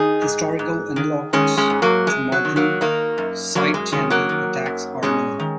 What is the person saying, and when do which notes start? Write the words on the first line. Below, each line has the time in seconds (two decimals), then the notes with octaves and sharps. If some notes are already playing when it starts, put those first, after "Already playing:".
Historical analogues to modern side-channel attacks are known.
Already playing: D#3 D#4 G#4
0.22 G#2
0.59 G#2
0.96 D#3
1.33 D#3 G#3 C#4
1.57 G#3 C#4
1.70 G#2
1.82 F#3 A#3
2.07 F#2 G#3
2.32 F#3
2.45 D#3
2.56 F#3 A#3
2.81 D#3 A#3 D#4
3.18 F#2
3.55 F#2 F#3 A#3
3.74 G#3
3.92 D#3 G#3 C#4
4.10 F#3 A#3
4.29 D#3
4.66 F#2
5.03 G#2 G#3 C#4
5.40 D#3